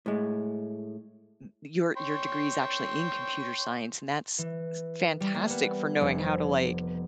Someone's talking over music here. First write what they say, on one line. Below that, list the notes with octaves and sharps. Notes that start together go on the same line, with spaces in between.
n your your degree's actually in computer science, and that's s fantastic for knowing how to, like,
A2 G#3
C#5 G5 C6
E3
G3
A#3
B3
F1